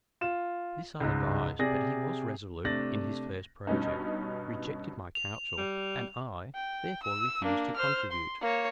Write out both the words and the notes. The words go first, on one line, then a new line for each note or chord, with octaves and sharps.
This I advised, but he was resolute in his first project, rejected my counsel, and I, therefore, refused to contribute.
F4 E7
C#2 G#2
C3 G#4 D5 A#6
C3 A3 D4 A6 A#6 F#7
G2 B2 C#4 D#4
F7
G3
G5
E6
A#3 D4
C5 F6
C6
A#3 C#5